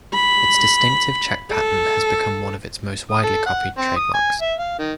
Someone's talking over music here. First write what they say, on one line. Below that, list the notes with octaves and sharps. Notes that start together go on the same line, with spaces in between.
Its distinctive check pattern has become one of its most widely copied trademarks.
B5
A4
D#6
A4
F#5
C4
D#6
G#5
E5
F5
D#3